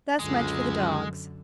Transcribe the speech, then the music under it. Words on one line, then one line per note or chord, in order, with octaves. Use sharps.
Thus much for the dogs.
C#2 F#2 D3 G#3